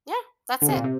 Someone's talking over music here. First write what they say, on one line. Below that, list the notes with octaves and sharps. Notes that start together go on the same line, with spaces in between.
Yeah, that's it.
D3
C3
A#2
C3